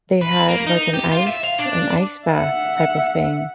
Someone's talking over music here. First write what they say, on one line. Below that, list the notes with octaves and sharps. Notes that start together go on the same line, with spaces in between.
they had, like, an ice an ice bath type of thing.
B4
A#3
D#4
G4
F4
E5
F5
D4
E5 F#5